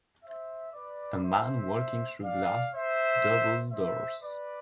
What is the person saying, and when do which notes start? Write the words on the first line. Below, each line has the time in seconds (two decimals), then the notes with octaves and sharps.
A man walking through glass double doors.
0.23 C5 E5
0.73 B4 D5
1.23 C5 E5
2.22 D5 F5
2.73 C5 E5
3.72 C5 E5
4.22 B4 D5